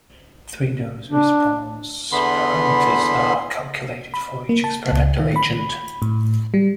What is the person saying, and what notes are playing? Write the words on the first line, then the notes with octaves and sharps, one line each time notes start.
Three dose response parameters are calculated for each experimental agent.
D4
E2 D3 E3 B3 B5 C6
B5
A#3
A5
C#2
D#3
B5
A2
G3